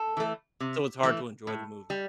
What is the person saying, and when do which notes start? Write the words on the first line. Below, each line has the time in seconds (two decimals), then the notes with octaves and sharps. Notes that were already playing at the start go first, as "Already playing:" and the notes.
Uh, so, it's hard to enjoy the movie.
Already playing: A4
0.17 E3 A3
0.60 C3
1.03 E3 A3
1.47 A2
1.90 G3